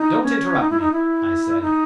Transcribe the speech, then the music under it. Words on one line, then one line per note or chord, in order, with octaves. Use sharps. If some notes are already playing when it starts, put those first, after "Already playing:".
"Don't interrupt me," I said.
Already playing: D#4
C#4
D#4
E4
D#4
E4
D#4